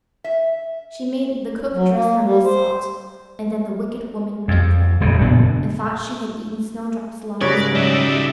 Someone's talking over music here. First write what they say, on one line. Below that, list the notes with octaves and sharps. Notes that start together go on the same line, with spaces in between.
She made the cook dress them with salt, and then the wicked woman ate them, and thought she had eaten Snowdrop's lungs and liver.
E5
F#3
A#3
G3
C5
F2
D#1 F2 C#3
F#1 A#2 B3 D4
G#2 C#3 G3 F#4 A#4 B4 C#5 D5
D#4 F#4 D5 E5